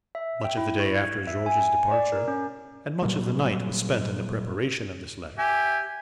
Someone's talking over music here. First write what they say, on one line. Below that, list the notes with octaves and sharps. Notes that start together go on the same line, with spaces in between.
Much of the day after George's departure, and much of the night, was spent in the preparation of this letter.
E5
G5
E4
C#6
G#6
E5
G#5
G#5
D5
A#4
C#4
A#2 F#3 G3
G4 E5 G#5